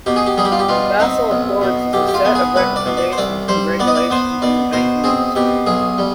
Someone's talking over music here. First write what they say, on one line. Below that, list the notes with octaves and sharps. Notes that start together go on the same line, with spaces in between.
The Basel Accords is a set of recommendations for regulations in the banking industry.
B2 G4
G#4
G4
G3 G#4
G4
F4
G4
B2 F4
C4 D#4
B1
B2
B1 G4
G4
F4
B3
G#4
C2 B4
D5
B2
D5
C5
C2 D5
G3 C5
B3 D5
D#5
D5
B3 C5
B2 D5
B2 C5
C4 G#4
B2 G4
B1 G#4
G3